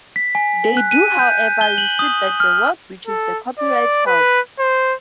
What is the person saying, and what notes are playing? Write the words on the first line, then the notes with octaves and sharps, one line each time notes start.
They do, however, refute that the work breaches the copyrights held.
B6
G#5
F#6
D#7
G6
G7
F#7
D#6
F6
A4
D5
B4
C5